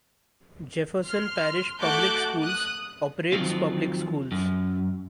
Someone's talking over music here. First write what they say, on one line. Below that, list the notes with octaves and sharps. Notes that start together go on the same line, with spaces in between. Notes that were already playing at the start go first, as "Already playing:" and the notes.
Jefferson Parish Public Schools operates public schools.
C6 F6
A3 F#4 A5 D6 F#6 G6
D#6 F#6
D#3 F3 F#3 C4 F4
F#2